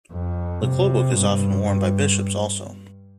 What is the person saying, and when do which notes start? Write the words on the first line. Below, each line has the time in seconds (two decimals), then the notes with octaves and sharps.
The klobuk is often worn by bishops also.
0.12 F2
0.63 C3
1.13 G2
1.64 G2